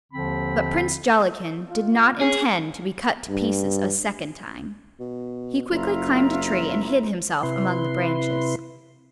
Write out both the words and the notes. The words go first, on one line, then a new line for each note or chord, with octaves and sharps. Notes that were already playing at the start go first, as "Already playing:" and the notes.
But Prince Jollikin did not intend to be cut to pieces a second time. He quickly climbed a tree and hid himself among the branches.
D#2 D3 F3 C4 B5
F4
C#4 G#4
G2
B2
F#1 E4 F4 A#5
C3 E4 B4 C6